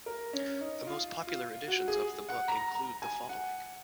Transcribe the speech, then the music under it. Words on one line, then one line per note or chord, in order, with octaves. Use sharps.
The most popular editions of the book include the following.
A#4
C#4
D#4
F4
F4
F#4
G#4
F#5
A#5
A#5
G#5
F#5